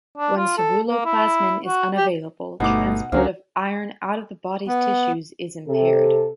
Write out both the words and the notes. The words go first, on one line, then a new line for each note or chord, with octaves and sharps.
When ceruloplasmin is unavailable, transport of iron out of the body's tissues is impaired.
D4
F4
A4
A#3
E4
F#4
G4
G1 B2 A3 D#4 F#5 D6
C#2 D3 F#3 G#3 C#4 A#4 C5 F5
B3
C3 A4